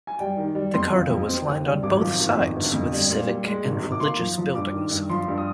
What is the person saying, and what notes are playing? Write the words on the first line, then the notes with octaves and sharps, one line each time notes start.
The cardo was lined on both sides with civic and religious buildings.
G#5
G3 G5
D#3
G3
F2 C6
F3
F2
C4
D#2
G3
G#1 D6
F3
G#1
F2
G1
F2
G3
A#2
G3
G#3
G#1
G#1
D6
A#3 C6
F3
F3
G2 D6
D#3
G2
F3 C6
G2
D#6